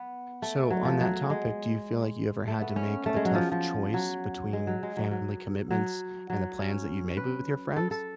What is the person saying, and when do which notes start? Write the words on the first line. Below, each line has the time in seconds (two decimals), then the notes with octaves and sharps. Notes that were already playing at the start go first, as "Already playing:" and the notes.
So, on that topic, do you feel like you ever had to make a tough choice between family commitments and the plans that you made with your friends?
Already playing: B3
0.42 A3
0.70 F#3
0.85 F3
1.01 F#3
1.30 G#3
2.47 A3
2.62 B3
2.76 C#4
3.06 A3
3.16 G#3
3.25 F#3
3.35 F3
3.52 F3
3.94 F#3
4.53 G#3
4.67 F#3
4.83 G#3
4.97 F#3
5.11 F#3
5.71 F#3
6.30 F#3
6.59 C#4
7.17 B4
7.76 A4
7.91 A4